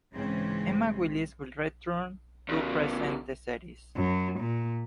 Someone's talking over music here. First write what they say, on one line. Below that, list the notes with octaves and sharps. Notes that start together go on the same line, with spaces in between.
Emma Willis will return to present the series.
G#2 C#3 E3 C4 C#4
E2 C#3
F#2
A#2